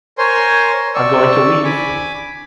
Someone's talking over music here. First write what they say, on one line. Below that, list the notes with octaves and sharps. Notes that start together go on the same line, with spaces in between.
I’m going to leave! ...
A#4 C5 C#5 G#5 C6
D5 C#6 E6
G#5 B5 D6